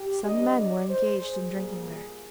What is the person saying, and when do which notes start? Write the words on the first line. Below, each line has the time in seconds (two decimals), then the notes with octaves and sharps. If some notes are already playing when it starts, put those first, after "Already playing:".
Some men were engaged in drinking there.
Already playing: G4
0.24 C3 G3 D4 D#5
0.57 D5
0.89 C5
1.21 G#4
1.53 A#2 G3 A#3
1.86 G#4